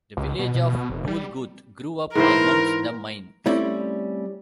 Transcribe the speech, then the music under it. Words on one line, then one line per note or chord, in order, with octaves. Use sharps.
The village of Polgooth grew up amongst the mines.
C#2
B2
B2
B2
F1
G3
G#2 E3 A#4 C5
G3 A3 C4 C#4 E4 D5